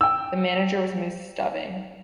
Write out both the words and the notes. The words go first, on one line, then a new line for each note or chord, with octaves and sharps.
The manager was Moose Stubing.
G5 E6